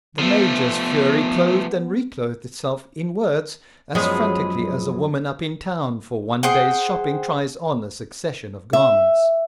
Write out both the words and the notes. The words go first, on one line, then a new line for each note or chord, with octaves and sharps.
The Major's fury clothed and reclothed itself in words as frantically as a woman up in town for one day's shopping tries on a succession of garments.
F3 A3 B3
F#2 F3 F#3 G#3 B3 G#4
G#4 C5 F#5 G5
E5